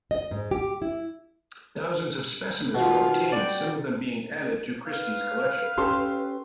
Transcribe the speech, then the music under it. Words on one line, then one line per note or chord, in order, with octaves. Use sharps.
Thousands of specimens were obtained, some of them being added to Christy's collection.
D#5
G#2
G4
E4
B2 D#3 F4
B3 F#4 D5 G5
B4 F5
C#4 G4 A4 C6